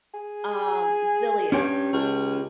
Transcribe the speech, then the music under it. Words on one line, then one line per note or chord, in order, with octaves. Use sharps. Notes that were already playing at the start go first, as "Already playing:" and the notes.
um, Xillia.
G#4
G2 C#4 G4 C#5
C#2